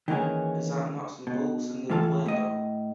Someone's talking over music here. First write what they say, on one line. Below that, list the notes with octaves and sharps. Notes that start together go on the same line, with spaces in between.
Is that nuts and bolts in the blender?
D#3 E3 A#3 C#4 G#4
B2
A2 E3 F4 A4 A5
A2 A3 D#5